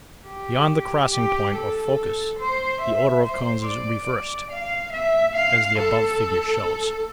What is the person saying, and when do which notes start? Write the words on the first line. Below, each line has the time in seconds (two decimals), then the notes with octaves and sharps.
Beyond the crossing point or focus the order of cones is reversed, as the above figure shows.
0.27 G4
1.11 G4
1.54 A4
2.39 C5
2.81 E5
3.24 C5
3.66 D5
4.51 F5
4.93 E5
5.35 F5
5.78 A4